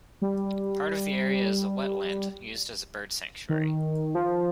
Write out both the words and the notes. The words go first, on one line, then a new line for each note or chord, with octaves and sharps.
Part of the area is a wetland used as a bird sanctuary.
G3
D#3
F3